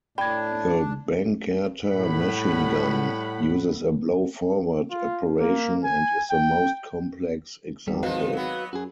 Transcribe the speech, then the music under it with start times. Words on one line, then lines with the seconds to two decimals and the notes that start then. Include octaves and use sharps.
The Bangerter machine gun uses a blow-forward operation and is the most complex example.
0.18 A2 D4 G5 B5 G#6
1.88 A2 G3 F#5 B5
4.91 F4
5.40 A#3
5.84 G#5
6.30 G5
7.88 G#1 G3
8.03 F3 D#4 F#4 B4 F5
8.33 F#3 B3
8.73 F#2 F#4 G#4